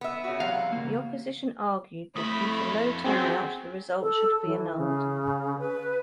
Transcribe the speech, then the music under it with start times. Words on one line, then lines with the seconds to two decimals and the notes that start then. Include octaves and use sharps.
The opposition argued that due to low turnout the results should be annulled.
0.01 B3 E5
0.24 C#3 F#4
0.40 E2 C3 F#3 F5 F#5
0.72 C#3 A#3
2.16 F2 A3 E4 B5 D#6
3.04 F#2 C4 F#4 G#4 G5
4.01 A4
4.44 E3
4.77 C#3
5.58 B4